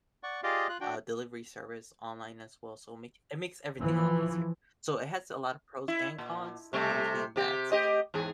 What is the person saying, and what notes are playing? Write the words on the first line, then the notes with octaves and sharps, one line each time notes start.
uh, delivery service online as well, so make it it makes everything a lot easier. So it has a lot of pros and cons, the cons being that
D5 F#5 C#6
F4 G4 G#4 D5 D#5 F5
F4 F#6
D4 F#4 G5
E3 F3
E4
A#2
C3 G3 A3
C3 G4
A3 G4 D#5
E2 G#2 G#4